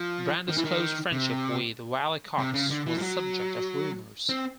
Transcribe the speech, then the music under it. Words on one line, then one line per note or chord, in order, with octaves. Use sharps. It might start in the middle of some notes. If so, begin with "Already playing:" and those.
Brando's close friendship with Wally Cox was the subject of rumors.
Already playing: F3
D#3
E3
D#3
C3
C3
C#3
D3
E3
F3
F#3
C4